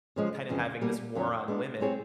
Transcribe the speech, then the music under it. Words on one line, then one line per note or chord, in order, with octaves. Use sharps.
kinda having this war on women,
C#3 F3 G#3
F2 C#3 E3
B2 G3 A#3
F2 D3 F#3
G#3 B3 D4
G3 C4 E4 G#4 C#5